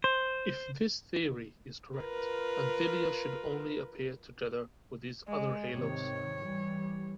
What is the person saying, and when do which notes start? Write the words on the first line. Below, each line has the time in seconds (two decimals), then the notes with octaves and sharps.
If this theory is correct, anthelia should only appear together with these other haloes.
0.04 C5
1.98 F4 A#4 B4
5.28 G#3
5.72 G#1 C3 D#3 C#5
6.42 E3 G3